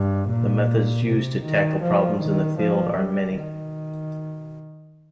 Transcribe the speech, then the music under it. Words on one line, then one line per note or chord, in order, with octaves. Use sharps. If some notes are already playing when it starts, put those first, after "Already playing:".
The methods used to tackle problems in this field are many.
Already playing: G2
A#2
C3
D#3
F3
D#3
F3
G3
D#3